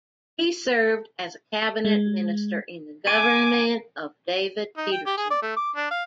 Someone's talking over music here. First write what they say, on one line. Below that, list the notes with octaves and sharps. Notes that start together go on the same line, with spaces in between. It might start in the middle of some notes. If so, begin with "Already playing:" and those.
He served as a cabinet minister in the government of David Peterson.
G#3
G#5 D6 D#7
D#4
G5
G4
G#4
D5
A3
D6
D4
F5